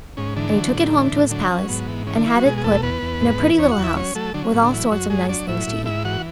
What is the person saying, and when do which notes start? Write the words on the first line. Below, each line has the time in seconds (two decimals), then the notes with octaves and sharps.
And he took it home to his palace and had it put in a pretty little house, with all sorts of nice things to eat.
0.17 G#2 C#4
0.36 D3 E3 D4
0.56 F#3
0.75 A2
0.94 E3
1.12 A2
1.31 D3 F#3 D4
1.50 F#3 C#4
1.69 G#2 B3
1.88 E3
2.07 E3 C#4
2.16 D3 D4
2.26 E3 E4
2.36 F#3 F#4
2.45 B2 G#3 G#4
2.58 G#4
2.64 E2 A3 A4
2.83 E2 B3 B4
3.02 E2
3.21 G#2
3.39 E3
3.54 B4
3.58 E2 C#4 C#5
3.71 F#4 F#5
3.78 E2
3.84 E4 E5
3.96 F#3 C#4 C#5
4.15 F#3 A3 A4
4.34 D3 F#3 D4
4.44 C#4
4.54 A2 B3
4.63 D3 D4
4.72 E3 F#3 E4
4.91 F#2 F#3 F#4
5.10 F#3 G#3 G#4
5.29 F#3 D4 D5
5.48 A2 E4 E5
5.67 A2
5.86 G#2 E4 E5
6.05 E3 F#4 F#5